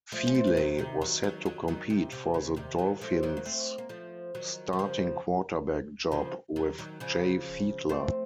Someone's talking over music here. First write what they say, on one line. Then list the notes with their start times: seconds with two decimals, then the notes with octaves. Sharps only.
Feeley was set to compete for the Dolphins' starting quarterback job with Jay Fiedler.
0.12 F3 A3
0.27 C#4
0.35 A3 C4
0.47 A3
0.57 D#3 F#3
0.78 C3 D#3
1.01 D#3 F#3
1.24 D#3 F#3
1.46 D#3 F#3
1.68 D#3 F#3
1.90 C3 D#3
2.12 C3
2.34 C#3
2.56 C3 D#3
2.78 D#3 F#3
3.01 F3 A3
3.23 D#3 F#3
3.37 A#3
3.46 A3 C4
3.78 A#3
3.89 F3 A3
4.35 D#3 F#3
4.73 D#3
4.79 C#3 F3
6.12 C#3 F3
6.56 D#3 F#3
6.79 D#3 F#3
7.00 C#3 F3
7.89 A3 C4